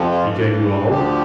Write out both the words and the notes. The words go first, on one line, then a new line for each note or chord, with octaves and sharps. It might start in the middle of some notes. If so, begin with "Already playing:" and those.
"He gave you a hope?"
Already playing: F2 C3 F3
F4
G2 E3
D2 D3 F3 G4